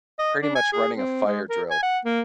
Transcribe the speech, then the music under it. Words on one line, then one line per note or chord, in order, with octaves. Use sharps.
pretty much running a fire drill,
D#5
D4
G#5
G#4
C4
G#3
A#4
G#5
F#5
A#3